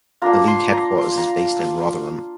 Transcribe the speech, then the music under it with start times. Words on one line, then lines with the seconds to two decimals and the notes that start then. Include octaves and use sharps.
The League headquarters is based in Rotherham.
0.22 A#3 D4 F4 A#5
0.48 C6
0.73 A#5
0.98 C6
1.18 A#5